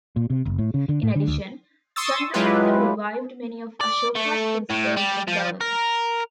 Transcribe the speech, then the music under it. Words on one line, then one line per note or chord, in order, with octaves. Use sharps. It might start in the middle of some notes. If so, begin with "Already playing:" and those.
In addition, Chandragupta revived many of Ashoka's principles of government.
A#2
C3
F#1
A2
C#3
D3
A2
D3
D2
C6 C#6 D#6 E6 A6
F#3 G#3 E4 F4 G4 B4
D5
A3
A2
G3
F3
A#4